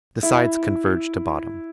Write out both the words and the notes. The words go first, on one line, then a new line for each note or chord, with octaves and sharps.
The sides converged to bottom.
E4